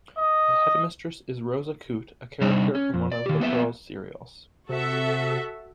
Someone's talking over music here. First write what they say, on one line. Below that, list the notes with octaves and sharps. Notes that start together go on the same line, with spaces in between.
The headmistress is Rosa Coote, a character from one of "The Pearl's" serials.
D#5
C3 G3 D4 D#4
C#4
F2
D5
D#3 G4
A#3 B3 D5 E5
C3 F#4 A4 E5